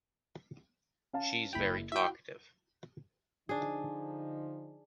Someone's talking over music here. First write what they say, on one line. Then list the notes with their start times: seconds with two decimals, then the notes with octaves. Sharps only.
She’s very talkative.
1.13 C#4 F5 A5
1.53 F#1 E4 G5 B5 F7
1.92 E4 F#4 E5 G5
3.49 D3 F3 D4 D#4 G#4